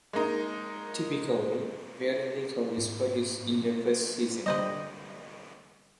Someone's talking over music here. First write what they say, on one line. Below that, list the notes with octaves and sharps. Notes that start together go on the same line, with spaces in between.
Typically, very little is produced in the first season.
G#3 A#3 D#4
G#2 C4
D3 G3 B4 C5 D#5